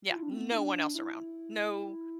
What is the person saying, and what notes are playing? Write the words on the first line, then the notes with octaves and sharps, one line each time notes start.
Yeah, no one else around. No
F4
E4
D4
C4
B3
E4
D4
D4
E4
E4